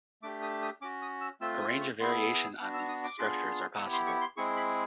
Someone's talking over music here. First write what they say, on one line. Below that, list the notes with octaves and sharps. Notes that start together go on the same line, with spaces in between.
A range of variations on these structures are possible.
A3 D4 G4 D6
D#6
D#6
C#4 F#4 D6
D#6
E6
A3 C4 F4 E6
D#6
C#6
B3 E4 G#4 C6
B3 D4 F#4
E6
D#6
D6
B3 D4 F4 G#4
B3 E4 G4 C#6
C6
C#6
C6
G#3 C4 E4 G#4 C#6
B5